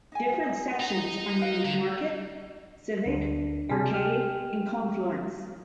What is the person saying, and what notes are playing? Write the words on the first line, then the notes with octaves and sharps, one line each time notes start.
Different sections are named Market, Civic, Arcade, and Confluence.
D#4 E5 G#5
D#5 A#5
A#4 B4 F5
D3
D2 D4
C3 G#4 G#5 A5 C6
G4 G5 F6